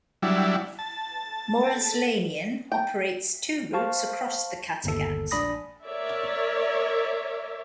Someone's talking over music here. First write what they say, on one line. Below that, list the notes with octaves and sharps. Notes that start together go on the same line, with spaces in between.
Mols-Linien operates two routes across the Kattegat.
F#3 G3 D4 E4
A5
G5
C5 F5 A5 C#6
G1 D#2 A4
A#1 D4 D5 B5 D#6 A#6
A#4 C#5 D5 E5